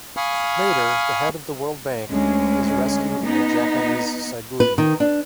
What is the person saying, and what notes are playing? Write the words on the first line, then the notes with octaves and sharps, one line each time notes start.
Later, the head of the World Bank is rescued in a Japanese saiguden.
F5 G#5 B5 C#6 D#6 F6
D2 G#3 C#4
B3 D#4
B4
D#3
D4